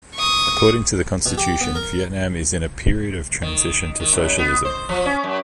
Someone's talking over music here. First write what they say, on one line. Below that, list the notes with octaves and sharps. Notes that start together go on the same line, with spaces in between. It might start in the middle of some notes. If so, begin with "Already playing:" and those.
According to the Constitution, Vietnam is in a period of transition to socialism.
C#6 D#6
B2
G4
B3
A#4
D#3
D#3
F#2
B3
C5
F3
C#4
F#2